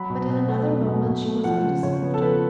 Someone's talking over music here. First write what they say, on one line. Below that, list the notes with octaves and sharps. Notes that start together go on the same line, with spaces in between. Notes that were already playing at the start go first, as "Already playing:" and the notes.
But in another moment she was undeceived.
Already playing: F#3 B5
B2
B2
A3
F#3
B2
B2
A3
F3 F#5
C#3
C#3 C#5
B3
A4
F3 B4